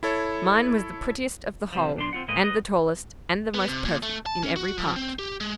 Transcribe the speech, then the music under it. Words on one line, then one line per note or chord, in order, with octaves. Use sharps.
Mine was the prettiest of the whole, and the tallest, and the most perfect in every part.
E4 A4 C#5
C3 F3
B1 D4 C6
C4 F4 F#5
A2 G#3 A#3 B4 D#5
B4 D#5
B3
C3
A#2
A3
A5
C#4
F#4
F3
C4
G4
G#3